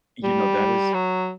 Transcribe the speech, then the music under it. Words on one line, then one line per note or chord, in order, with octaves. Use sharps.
you know, that is
G3
F#3